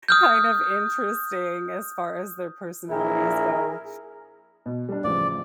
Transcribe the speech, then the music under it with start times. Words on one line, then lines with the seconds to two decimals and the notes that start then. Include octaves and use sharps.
kind of interesting as far as their personalities go,
0.08 D#6 F6 G6
2.89 A#1 E4 G#4 A#4
4.66 B2
4.89 G3 D4
5.04 A1 C#3 F3 D5